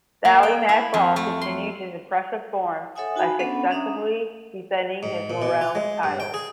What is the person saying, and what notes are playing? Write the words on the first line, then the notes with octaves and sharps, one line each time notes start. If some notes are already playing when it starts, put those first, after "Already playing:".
Ballymac Ball continued his impressive form by successfully defending his Laurels title.
A#3
G5
E4
F2
A3
C6
A4 C#5 E5 F#5 G#5 D#6
D#4 F#4 G#5 A5 B5
B3 C#4 D4 A4 F#5 B5
C#4 D4 E5 A#5 D#6
G#2
A#2
B2
F4
G#3
G2
G5
G#4